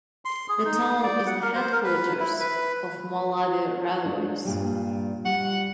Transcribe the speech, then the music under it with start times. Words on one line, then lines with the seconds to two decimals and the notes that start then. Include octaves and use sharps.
The town is the headquarters of Malawi Railways.
0.25 C6
0.49 G#4
0.65 D#4
1.03 D5
1.27 F#5
1.42 A#4
1.55 C5
1.73 A#4
1.84 B4
2.20 E4
2.40 B4
4.05 G#3 D4
4.45 G2 A#2 G3
5.25 G3 F#5